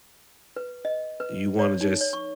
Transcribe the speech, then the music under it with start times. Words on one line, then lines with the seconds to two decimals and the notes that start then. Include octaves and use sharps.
You wanna just
0.56 B4
0.85 D#5
1.20 B4
1.59 C#5
1.81 D#4
2.01 C#5
2.13 C#6